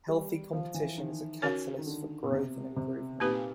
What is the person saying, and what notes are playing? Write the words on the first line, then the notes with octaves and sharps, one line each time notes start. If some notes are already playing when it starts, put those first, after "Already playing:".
Healthy competition is a catalyst for growth and improvement.
G3
F3
E3
D#3
C#4 F#4 A#4 C#5
D#3
D3
B2
C3
C3
A#2 C4 D#4 G4 B4